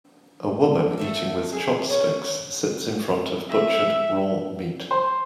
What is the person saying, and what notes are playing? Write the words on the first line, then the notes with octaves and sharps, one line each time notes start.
A woman eating with chopsticks sits in front of butchered raw meat.
A3 A4 E5
G#4
C#4
E5
C5